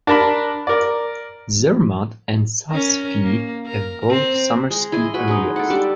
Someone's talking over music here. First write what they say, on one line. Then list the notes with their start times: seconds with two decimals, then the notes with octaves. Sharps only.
Zermatt and Saas-Fee have both summer ski areas.
0.07 D4 A#4 A5 B5
0.67 A#4 D5
2.72 C#4 A#4
3.23 A#3
3.67 A#4
4.10 C4
4.70 G#3
4.92 E4 G#4 D#5
5.14 F#4 B4 B5
5.28 G#3 D#4
5.56 A4 F#5
5.70 G3 D4 D6